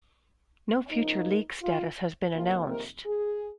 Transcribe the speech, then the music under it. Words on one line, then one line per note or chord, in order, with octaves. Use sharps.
No future league status has been announced.
C#3 F3 A#3 D#4
A#4
F4
F2 C3 D#3 A#3 F4
A#4
G#4